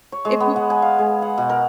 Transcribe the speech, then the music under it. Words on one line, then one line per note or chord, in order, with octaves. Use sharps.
if you
C#5
G#3
B3
F#5
G#5
F5
G#3
F#5
B2
A#4